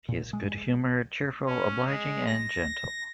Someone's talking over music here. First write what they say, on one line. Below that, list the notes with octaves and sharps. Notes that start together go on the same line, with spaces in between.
He is good-humoured, cheerful, obliging, and gentle.
A#2
G#3
C#4
G#3
A#6